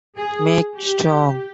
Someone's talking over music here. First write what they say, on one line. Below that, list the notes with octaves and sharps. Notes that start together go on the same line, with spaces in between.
Make - Strong.
G#4
G4